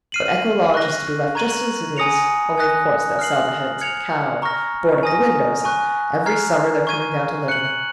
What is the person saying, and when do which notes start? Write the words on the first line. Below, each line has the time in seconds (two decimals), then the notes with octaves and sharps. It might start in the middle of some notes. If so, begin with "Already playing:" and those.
But Echo Lodge is to be left just as it is. . . only of course they'll sell the hens and cow, and board up the windows . . . and every summer they're coming down to live in it.
0.12 F6 C7 D#7 F#7
0.74 C#6 F#6 A#6
1.35 A#5 C#6 G#6 D#7 F#7
1.97 G#5 D#6 A#6 C#7 F7
2.57 G#5 D#6 F#6 A#6
3.19 F6 C7 F#7
3.81 F6 G#6 C#7 F7
4.42 A#5 C#6 F6 A#6
5.03 G#5 D#6 A#6
5.64 G#5 C#6 F#6
6.26 A#5 F6 G#6 C7
6.87 C#6 G#6 D#7
7.48 F#6 C#7 F#7